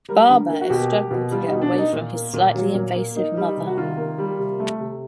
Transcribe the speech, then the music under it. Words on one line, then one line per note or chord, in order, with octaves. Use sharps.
Baaba is struggling to get away from his slightly invasive mother.
G3 A#4
D3
A#3
F#4
B2 G4
A#3
B2
G3 F4
B2 D#4
D4
A#3
D#4
A#2
A#3
A#2
F#3
A#2
A#3
A#3 D#4
G3
C3
F#4
D#3 F4
A#3
G3
C3
A3
C3